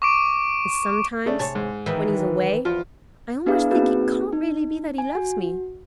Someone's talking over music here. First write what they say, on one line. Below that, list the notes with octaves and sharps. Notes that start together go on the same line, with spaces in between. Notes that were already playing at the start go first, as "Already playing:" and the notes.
And sometimes, when he is away, I almost think it can't really be that he loves me.
C#6 D6 D7
C#3 A3 D4
C3 G#4 C#5 A5
G#2
D#3 E3
E2 F3 F4
B3 D4 E4 G#4 B4 F5
A#3 C4 D#4 F#4 G#4 B4
D#4
G#5
F#4